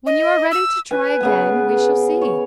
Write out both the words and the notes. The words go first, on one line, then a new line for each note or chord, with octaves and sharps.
"When you are ready to try again, we shall see."
D#5
E6
B4 G#5
C#3 B3 G#5
C#5